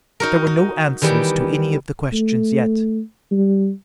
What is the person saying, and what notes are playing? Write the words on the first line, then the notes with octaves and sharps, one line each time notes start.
There were no answers to any of the questions yet.
D#4 F#4 A#4
D#4
D#3 E3 G3 B3
A3
G3